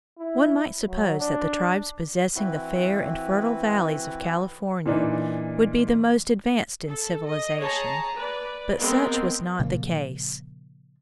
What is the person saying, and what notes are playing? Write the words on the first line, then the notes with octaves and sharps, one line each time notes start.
One might suppose that the tribes possessing the fair and fertile valleys of California would be the most advanced in civilization, but such was not the case.
E4
F#3
D4
E3 C4 E4 F#4 B4
A#2 E3 D4 D#4
A4
D#5
G#4 C#5 A5 A#5
B4 D5
G#3 B3 C4 A#4
A#2 C#3 F3 A#3